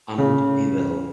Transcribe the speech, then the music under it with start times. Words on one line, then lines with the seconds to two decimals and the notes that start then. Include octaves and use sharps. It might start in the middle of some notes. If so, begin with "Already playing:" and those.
And we will.
0.18 C#3